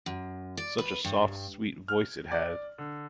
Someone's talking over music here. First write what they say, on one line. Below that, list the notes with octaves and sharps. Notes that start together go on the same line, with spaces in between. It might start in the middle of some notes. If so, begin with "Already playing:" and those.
Such a soft sweet voice it had!
F#2
D5
B4
G2
F6
D5
D3